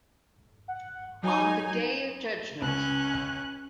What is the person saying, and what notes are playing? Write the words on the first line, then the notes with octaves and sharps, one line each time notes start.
On the day of judgment.
F#5
F#3 D#4 G#5
C#2 C#4 F#6